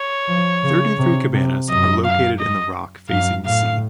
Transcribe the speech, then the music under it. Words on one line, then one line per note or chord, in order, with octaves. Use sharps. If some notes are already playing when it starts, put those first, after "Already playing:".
Thirty-three cabanas are located in the rock facing the sea.
Already playing: C#5
F3
C#3
C3
C3
F#2 D#5
F5
D#5
F#2 F5
A2 F5